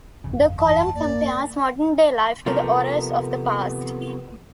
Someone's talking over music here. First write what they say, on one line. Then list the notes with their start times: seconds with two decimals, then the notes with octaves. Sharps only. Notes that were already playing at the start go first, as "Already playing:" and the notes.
The column compares modern day life to the horrors of the past.
0.24 G1 F2 C#3
0.42 F5
0.58 E3 A5
0.94 A#3 D5
2.46 C3 F3 A3 B3 A#4